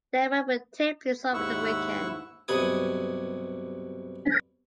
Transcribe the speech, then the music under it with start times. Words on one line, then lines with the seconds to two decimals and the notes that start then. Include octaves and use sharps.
The event will take place over the weekend.
1.34 D#2 G#2 E4 F#5 C#6 E6
2.48 B1 G2 C3 B4 G#5 D#6